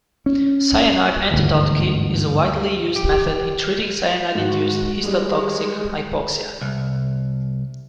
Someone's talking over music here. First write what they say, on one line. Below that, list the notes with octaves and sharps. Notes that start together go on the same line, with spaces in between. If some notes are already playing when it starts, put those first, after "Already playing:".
Cyanide antidote kit is a widely used method in treating cyanide induced histotoxic hypoxia.
C#4
G1 D2 G#2 E3
G4
G#2 F#4
G3 G#3
C2